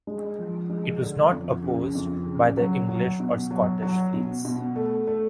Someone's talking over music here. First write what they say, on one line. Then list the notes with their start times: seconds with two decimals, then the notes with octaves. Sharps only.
It was not opposed by the English or Scottish fleets.
0.07 G#3
0.39 F3
0.70 G#3
1.01 D3
1.32 F2
1.63 C#3
1.95 F2
2.26 C#3
2.57 F#3
2.89 F#3
3.20 B2
3.51 F#3
3.82 F#3
4.14 B2
4.45 B2
4.76 A3
5.07 A3